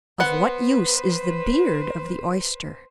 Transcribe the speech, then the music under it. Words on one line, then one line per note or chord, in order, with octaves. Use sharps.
Of what use is the "beard" of the Oyster?
B3 B4 C5 F#5